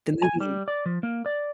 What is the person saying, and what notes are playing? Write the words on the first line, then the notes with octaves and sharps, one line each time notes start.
the movie.
G#5
G3
D5
F3
A#3
D5